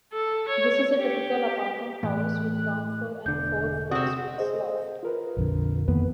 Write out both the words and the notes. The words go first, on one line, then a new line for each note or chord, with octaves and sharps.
This is a typical apartment house, with ground floor and four floors plus loft.
A4
C#5
G4
A2 E3 F#6
E1 D3 G6
C3 C4 F#4 D#6
G#4 C5 D#5
F4 A#4 B4
A#1 F2 D3
F2 D#3 A#3 B3 B4